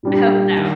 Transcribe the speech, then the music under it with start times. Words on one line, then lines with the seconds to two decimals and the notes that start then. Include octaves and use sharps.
I hope so.
0.03 A#2 G3 D4
0.57 D#3